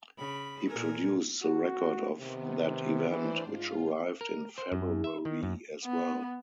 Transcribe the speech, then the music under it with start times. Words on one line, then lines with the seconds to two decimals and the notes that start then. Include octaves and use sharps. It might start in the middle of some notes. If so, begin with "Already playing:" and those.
He produced the record of that event, which arrived in February as well.
0.18 C#3 B5
0.68 A#2 A4 A#4 G#5
1.43 F#4
2.20 C3 D#3 B3
3.10 E3 D4 C5 D5
3.47 G#2 F4
4.21 A#4
4.58 C5
4.72 F#2
5.04 E5
5.25 D#3
5.43 F#2
5.85 B3